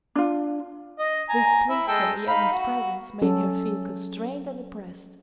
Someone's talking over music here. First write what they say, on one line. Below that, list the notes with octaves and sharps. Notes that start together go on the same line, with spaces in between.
This pleased her, yet his presence made her feel constrained and oppressed.
D4 F4
D#5
G#5 A#5
E4
G#3 A4 G5
D#4 F5 B5
F#4
F#3 C#4 A4